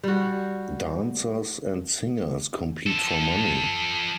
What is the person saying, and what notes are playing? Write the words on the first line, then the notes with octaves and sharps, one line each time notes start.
Dancers and singers compete for money.
G3 F#4
F3 A4